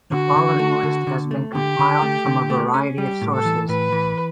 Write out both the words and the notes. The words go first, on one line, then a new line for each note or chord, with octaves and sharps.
The following list has been compiled from a variety of sources.
D3 F#4
D3
A3
D3
D3
A3
D3 G4
D3
A3
D3
A3
C#4
G3 G4
A2
A4
E3
A2 B4
E3